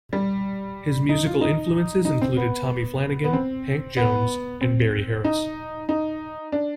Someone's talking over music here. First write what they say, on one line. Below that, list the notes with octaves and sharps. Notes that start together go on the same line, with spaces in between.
His musical influences included Tommy Flanagan, Hank Jones, and Barry Harris.
G3
D#4
F4
D#4
D#4
C4
B3
B3
C4
B3
C4
D#4
D#4
D4